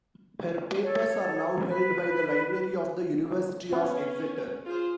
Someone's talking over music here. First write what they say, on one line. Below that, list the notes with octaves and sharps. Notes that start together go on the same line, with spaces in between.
Her papers are now held by the library of the University of Exeter.
A4 C#5
B4
B3 C#4
F4 G#4 C5